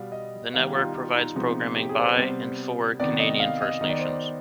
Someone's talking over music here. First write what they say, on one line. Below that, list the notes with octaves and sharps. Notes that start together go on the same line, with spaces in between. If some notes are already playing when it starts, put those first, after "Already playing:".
The network provides programming by and for Canadian First Nations.
Already playing: B2 G3 B3 F5
D#5
D#3 G3 B3 F5
G4
F4
D#4
F4
D#4
C3 F3 G#3 B3 D#4
G4
G#4
C5
B4
C3 G3 B3 C5
C3 D#3 B3 D5
D#5
F5
D#5
D#3 B3 D#5
D5
C5
D5